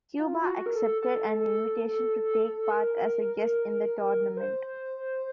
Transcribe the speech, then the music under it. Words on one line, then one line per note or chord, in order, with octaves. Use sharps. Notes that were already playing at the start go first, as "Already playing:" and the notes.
Cuba accepted an invitation to take part as a guest in the tournament.
F4
F4
F#4
A#4
A4
A4
A#4
C5